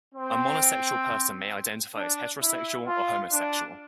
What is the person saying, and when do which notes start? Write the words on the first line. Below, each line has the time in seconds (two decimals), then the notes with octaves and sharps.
A monosexual person may identify as heterosexual or homosexual.
0.15 C4
1.95 D4
2.41 E4
2.86 F4
3.32 D4